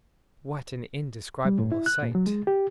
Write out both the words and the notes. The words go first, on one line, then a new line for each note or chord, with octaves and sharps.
What an indescribable sight!
G3
A2
E4
F#6
A#2
F#3
G#3
G4